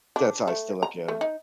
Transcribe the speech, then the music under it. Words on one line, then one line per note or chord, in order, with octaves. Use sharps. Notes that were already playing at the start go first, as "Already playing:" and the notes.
that's how I still look at it.
D4
A3
A#5
A3
D#4